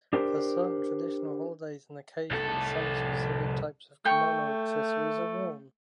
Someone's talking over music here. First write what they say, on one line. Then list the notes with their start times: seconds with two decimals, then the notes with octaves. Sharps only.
For certain traditional holidays and occasions some specific types of kimono accessories are worn.
0.13 D4 G4 A#4 C5
2.31 C2 A4
4.05 A3 G5 C#6